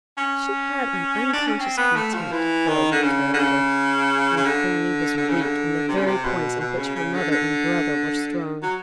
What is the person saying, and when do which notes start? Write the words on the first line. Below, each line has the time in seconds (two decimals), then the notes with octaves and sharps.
She had an unconscious contempt for a weak character; and Fanny was weak in the very points in which her mother and brother were strong.
0.17 C#4
1.33 D4
1.47 C#4
1.60 C4
1.77 B3
1.96 A3
2.13 F3
2.32 E3
2.67 D#3
2.92 D3
3.03 C#3
3.34 D3
3.39 C#3
4.37 C#3
4.46 D3
5.17 D3
5.29 C#3
5.41 D3
5.88 C3
5.97 C#3
6.06 C3
6.24 B2
6.60 B2
6.78 C#3
6.95 C#3
7.13 D3
7.31 D3
8.63 F#3